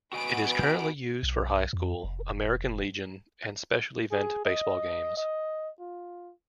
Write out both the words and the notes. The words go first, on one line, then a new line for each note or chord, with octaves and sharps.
It is currently used for high school, American Legion, and special event baseball games.
B3 F#4 B4 D#5 G#5 D7
B1
F2
F1
G#4
D#5
D#5
F4